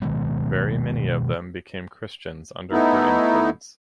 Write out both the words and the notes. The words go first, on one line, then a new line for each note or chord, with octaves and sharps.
Very many of them became Christians under her influence.
B2 D#3 G#3 B3
A3 B3 D#4 E4